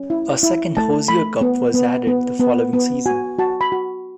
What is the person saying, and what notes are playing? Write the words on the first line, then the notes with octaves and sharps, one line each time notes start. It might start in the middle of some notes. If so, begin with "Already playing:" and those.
A second Hozier Cup was added the following season.
Already playing: C#4
E4
E4
A3 A5
A3 B5
B3
B3
B3
B3
B3
F#4 G#5
F#4 A5
B5
F#4